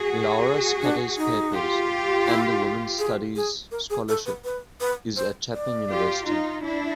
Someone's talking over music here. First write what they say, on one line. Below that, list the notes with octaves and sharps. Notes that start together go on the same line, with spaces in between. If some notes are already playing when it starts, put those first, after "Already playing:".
Laura Scudder's Papers and the Women's Studies Scholarship is at Chapman University.
Already playing: F#4 G#4
D4
D#4
F4 G4
E4
G#4
G#4
A#4
G#4
A4
B4
B4
B4
C5
D5
F4 G4
D#4 F4
D4 E4